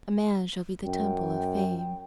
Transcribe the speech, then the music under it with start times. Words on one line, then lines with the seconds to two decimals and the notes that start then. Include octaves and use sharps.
A man shall be the Temple of Fame.
0.84 F#2 G5